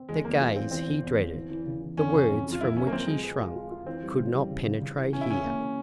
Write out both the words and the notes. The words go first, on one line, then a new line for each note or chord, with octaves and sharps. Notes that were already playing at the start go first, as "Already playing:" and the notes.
The gaze he dreaded, the words from which he shrank could not penetrate here.
Already playing: C4
E2 G#3
E2 A#3
G#3 F4
E3 C4
E2 C4
E2
E2
E2
E3
E3
C#3
E3
F2 C#4
C#3
F2
F2
F4
F3 E4
F3 C#4
A#3
F3 C4
F3 G#3
G#3 C4
F4
F4
F4
E3 C4
G3
C#3
G3
C#3
C#3
C#3
E3
C#3 C#4
E4
C#3 C#4
A#3
A#3